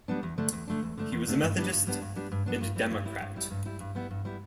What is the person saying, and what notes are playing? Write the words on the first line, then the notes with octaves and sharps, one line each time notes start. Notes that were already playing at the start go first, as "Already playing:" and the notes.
He was a Methodist and a Democrat.
G3 B3 D4
E2
D3 A3 D4
E2
D3 A3 D4
E2
D3 A3 D4
E2
D3 A3 D4
G2
G3 B3 D4
G2
G3 B3 D4
G2
G3 B3 D4
G2
G3 B3 D4
G2
G3 E4
G2
G3 E4
G2
G3 E4
G2
G3 E4
G2
G3 B3 E4
G2
G3 B3 E4